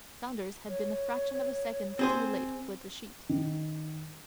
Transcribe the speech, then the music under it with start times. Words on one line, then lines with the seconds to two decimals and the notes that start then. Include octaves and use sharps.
Saunders had been a fraction of a second too late with the sheet.
0.69 C#5
1.99 C4 G#4 C5
3.29 D#3